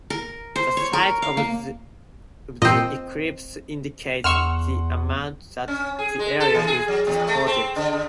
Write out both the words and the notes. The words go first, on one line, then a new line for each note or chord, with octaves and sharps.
The size of the ellipse indicates the amount that the area is distorted.
A#4
C5
C#5
A#4
F5
A#3
A#2 C4 D#5
E2 F#5 C6 C#6 E6 F6
C#4
G#4
G#3
A4
E3
G#4
F#3
E2
A3
C4
D3
D3